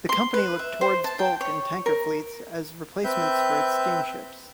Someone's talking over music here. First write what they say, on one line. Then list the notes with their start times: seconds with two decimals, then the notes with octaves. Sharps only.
The company looked towards bulk and tanker fleets as replacements for its steamships.
0.09 C6
0.34 B4
0.59 E5
0.81 C5
1.04 A5
1.19 G5
1.41 C#5
1.86 A#4
3.04 C4 B4 E5 G6